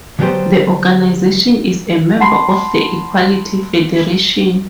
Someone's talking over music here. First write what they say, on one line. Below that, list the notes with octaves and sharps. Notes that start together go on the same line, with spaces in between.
The organization is a member of the Equality Federation.
D3 F#3 G3 B3 G4 C5
F#5 A5 B5 C6 C7